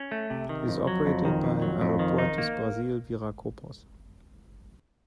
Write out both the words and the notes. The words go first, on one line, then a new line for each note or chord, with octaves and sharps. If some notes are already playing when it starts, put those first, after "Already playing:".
It is operated by Aeroportos Brasil Viracopos.
Already playing: C#4
A3
C3
D#3
F2
F#3
F2
D#3
F2
F#3
F2
D#3
D#4
A#3